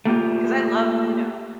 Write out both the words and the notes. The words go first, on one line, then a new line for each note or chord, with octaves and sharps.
'cause I love UNO,
A3 A#3 F4 G4